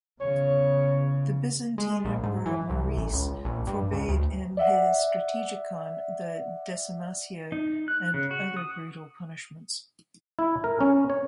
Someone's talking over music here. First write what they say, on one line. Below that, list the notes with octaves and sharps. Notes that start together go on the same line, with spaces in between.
The Byzantine Emperor Maurice forbade in his Strategikon the "decimatio" and other brutal punishments.
E2 C#3 C#5
G#3
A#1
G#2
E3
C2
A1
C#2
A#1
G2
C#2
D2
D5 E5 F#5
D#4
F#6
C#3
F#4
D#6
E4
A#4
C#4
C#5